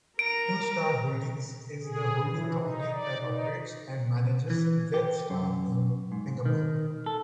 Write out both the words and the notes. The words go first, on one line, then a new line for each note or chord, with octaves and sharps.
Newstar Holdings is the holding company that operates and manages Jetstar in Singapore.
A#4 A#5 D7
G#4
E3
D#4
D5
D#4
E3
G4
F#2
G#2
D#3
A4